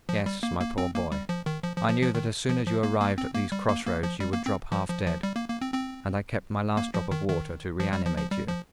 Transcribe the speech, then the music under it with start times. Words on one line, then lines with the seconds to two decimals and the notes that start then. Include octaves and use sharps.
"Yes, my poor boy, I knew that as soon as you arrived at these cross roads you would drop half dead, and I kept my last drop of water to reanimate you."
0.09 F3
0.26 G3
0.43 A#3
0.61 A#3
0.78 C4
0.95 A#3
1.12 G3
1.29 F3
1.46 D#3
1.63 F3
1.76 F3
1.89 F3
2.02 F3
2.15 D#3
2.49 F3
2.66 F3
2.83 A#3
3.01 A#3
3.18 C4
3.35 A#3
3.52 G3
3.69 A#3
3.86 A#3
4.03 F3
4.20 G3
4.33 A#3
4.46 C4
4.72 F3
4.89 F3
5.06 F3
5.23 G3
5.36 A#3
5.49 A#3
5.61 C4
5.74 C4
6.77 A#3
6.94 F3
7.11 D#3
7.29 D#3
7.80 F3
7.93 G3
8.06 F3
8.18 F3
8.31 G3
8.48 F3